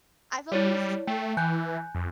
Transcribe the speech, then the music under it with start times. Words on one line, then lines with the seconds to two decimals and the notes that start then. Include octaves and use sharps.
I've always
0.52 G3 E4 C#5 D5
1.07 A3 G5
1.37 E3 G#5 F#6 G6
1.95 F2